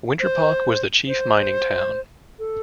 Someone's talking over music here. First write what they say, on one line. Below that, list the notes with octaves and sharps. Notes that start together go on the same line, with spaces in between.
Winterpock was the chief mining town.
C5
C5
A4